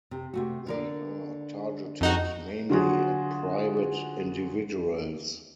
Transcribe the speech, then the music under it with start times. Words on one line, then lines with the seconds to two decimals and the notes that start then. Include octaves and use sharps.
They are targeted mainly at private individuals.
0.11 C3
0.34 C3 A3 F#4
0.67 D3 A#4 D5
2.01 F2 D#4 F#4
2.70 D3 F#3 F4 F#4 G#4